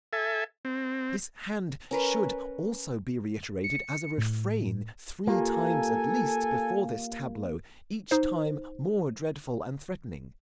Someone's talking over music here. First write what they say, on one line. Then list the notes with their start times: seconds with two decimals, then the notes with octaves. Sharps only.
This hand should also be reiterated as a refrain, three times at least, before this tableau, each time more dreadful and threatening.
0.13 A4 E5 G#5
0.65 C4
1.91 C#4 A#4 B4
3.64 C#7
4.18 A2
5.27 A#3 F4 G4 A4 F5 G#5
8.11 D#4 C5